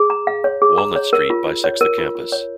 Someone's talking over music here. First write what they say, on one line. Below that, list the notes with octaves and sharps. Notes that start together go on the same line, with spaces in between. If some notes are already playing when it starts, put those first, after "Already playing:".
Walnut Street bisects the campus.
Already playing: G#4
A#5
F5
C#5
G#4
A#5
C#5
A#4
F4
F4
C#5
A#4
F4
F4
C#5